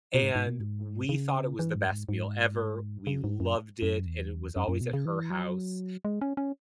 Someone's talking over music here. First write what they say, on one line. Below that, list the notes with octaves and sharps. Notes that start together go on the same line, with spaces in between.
and we thought it was the best meal ever, we loved it, and it was always at her house,
B2
G#2
G#2
B2
G#2
C#3
E3
G#2
F#2
G#2
G#2
C#3
G#2
F#2
F#2
E2
F#2
F#2
B2
C#3
E3
F#3
G#3
C#4
C#4